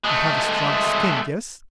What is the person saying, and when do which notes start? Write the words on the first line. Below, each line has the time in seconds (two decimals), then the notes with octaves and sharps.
You have a strong skin--yes?
0.05 G#3 A3